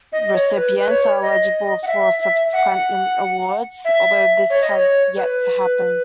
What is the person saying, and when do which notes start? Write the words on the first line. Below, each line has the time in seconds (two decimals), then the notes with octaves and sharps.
Recipients are eligible for subsequent awards, although this has yet to happen.
0.13 D#5
0.34 C#5
0.56 B4
0.79 B4
0.89 C#5
1.22 D#5
1.83 F#5
1.87 E5
2.20 E5
2.53 F#5
3.85 E5
4.50 C#5
4.61 D#5
4.72 C#5
5.16 B4